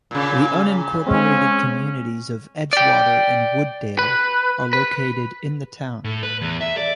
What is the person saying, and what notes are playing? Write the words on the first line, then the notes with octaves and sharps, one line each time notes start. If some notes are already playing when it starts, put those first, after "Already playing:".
The unincorporated communities of Edgewater and Wooddale are located in the town.
A#2 C#3
G#3 C4 C#4
D5 G5
B4
B4
A2
B4
E2
E5
D5